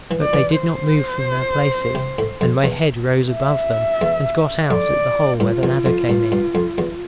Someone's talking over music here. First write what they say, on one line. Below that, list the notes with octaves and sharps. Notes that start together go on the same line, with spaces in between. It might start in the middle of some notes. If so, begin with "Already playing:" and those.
But they did not move from their places, and my head rose above them, and got out at the hole where the ladder came in.
E3
D5
E3
C5
C3
A2
F2
E2
E5
E2
F2 D5
G2 F4
E2
F2
G2
G2
F2
E2